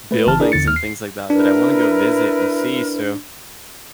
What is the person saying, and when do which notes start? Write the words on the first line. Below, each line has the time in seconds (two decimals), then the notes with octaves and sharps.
buildings, and things like that, that I wanna go visit and see, so,
0.11 A3 B4
0.26 G1 C#3 E3 A5 F6
0.40 D4 E4 G#4 A#4 D5
0.52 E2 D3 A6 C#7
0.65 D#2 F6
0.76 C7
1.30 D4 E4 A#4 B4